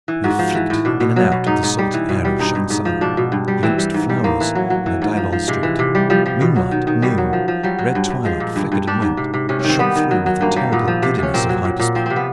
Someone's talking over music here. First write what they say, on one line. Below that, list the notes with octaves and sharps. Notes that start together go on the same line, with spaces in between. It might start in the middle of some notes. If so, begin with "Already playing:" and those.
We flicked in and out of the salty air of Shainsa, glimpsed flowers on a Daillon street, moonlight, noon, red twilight flickered and went, shot through with the terrible giddiness of hyperspace.
E3
G#2 F#4
F3
E3
A2
B2 D4
B2
F#3
B2
G#2 D#4
G#2
G3
E3
B2
G3
G2 D#4
G2
G#2
F3
B2 D4
B2
G2
G3
E3 C4
G3
G#2
G3
A2 A#3
E3
F#3
F#3
E3
G#2
F3
F3
C3 G#3
E3
C3
G3
F3 G3
F3 G3
B2
F#3
D#3
D#3
B2 G3
F#3
F3
F3
F#3 G3
F#3
G2
G2
F3 G#3
A#2
G2
G2
G3 D4
G#2
C3
C3
C3 C#4
C#4
D#3 C4
G3 B3
D#3
F#3
F#3
G2 A#3
G3 A#3
A#2 B3
F3
C3
C3 C#4
A#2 C4
F#3
A#2
A#2
F3 C4
C3 C4
B3